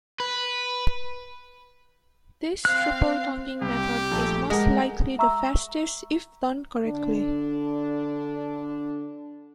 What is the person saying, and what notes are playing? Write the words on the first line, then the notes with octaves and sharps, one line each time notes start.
This triple tonguing method is most likely the fastest if done correctly.
B4
C4 F5 F#6 C7
C2 G4
A#1 A3 A5
G#3 A#4 F#5 A#6
E5 A#5 C#6 E6
D3 D4